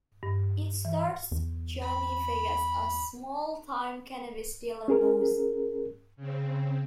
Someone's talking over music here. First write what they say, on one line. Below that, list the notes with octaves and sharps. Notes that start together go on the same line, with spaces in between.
It stars Johnny Vegas as small-time cannabis dealer Moz.
G2
E3
E2
B5
C#4 G#4 A#4
C#3 C4